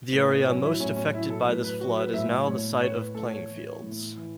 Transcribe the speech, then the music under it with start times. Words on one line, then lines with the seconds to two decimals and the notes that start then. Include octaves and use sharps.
The area most affected by this flood is now the site of playing fields.
0.12 A2 B3
0.30 B3
0.47 F#3 C#4
0.64 E4
0.80 A2 C#4
0.96 C#4
1.13 F#3 E4
1.30 A4
1.47 A2 B4
1.64 B4
1.80 F#3 F#4
1.97 B4
2.14 A2 E5
2.47 A2 C#5
2.80 A2 C#5
2.97 B4
3.14 A2 A4
3.31 C#5
3.48 E3
3.81 A2
4.15 E3